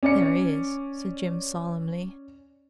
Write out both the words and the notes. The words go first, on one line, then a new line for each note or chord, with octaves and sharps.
"There is," said Jim solemnly.
C#4 D5 C#7